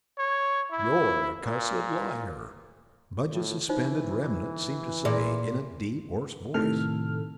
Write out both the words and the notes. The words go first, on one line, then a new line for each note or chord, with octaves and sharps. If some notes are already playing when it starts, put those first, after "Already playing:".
"You're a cussed liar!" Budge's suspended remnant seemed to say, in a deep, hoarse voice.
C#5
E4
A#2
A2
E3 D#4 F4 C5
A#2 G#4 D5 E5
A2 C3 D#3 A4 F6